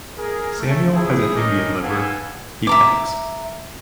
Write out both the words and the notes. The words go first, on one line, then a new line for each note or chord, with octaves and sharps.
Samuel has an Indian liver. He pegs.
G#4 A#4
A3 A4
E4 G#4
C#4 D#4 A4 A#4 D#5 D6
A4 B4 F5 F#5 G#5
E5 A#5 D6